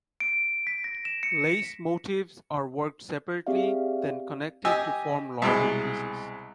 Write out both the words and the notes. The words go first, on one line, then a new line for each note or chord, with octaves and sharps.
Lace motifs are worked separately, then connected to form larger pieces.
D7
B6
A#6
E7
C#7
C4 G4 G#4 D5 E5 F5
G4 D#5 G#5 E6
C2 B2 G#3